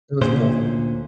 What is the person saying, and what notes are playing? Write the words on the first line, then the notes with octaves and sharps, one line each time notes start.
It was both.
D2 A#2 D3 C#4 C5